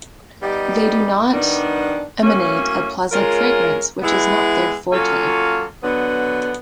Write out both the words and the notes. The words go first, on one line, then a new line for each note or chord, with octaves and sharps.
They do not emanate a pleasant fragrance, which is not their forte.
G3 B3 D#4 G4
D#3 G3 B3 D4
A2 F#3 A#3 C#4
G#3 C#4 F4 A#4
G#3 B3 E4
F#3 A#3 C#4 F4 A4
D3 F#3 B3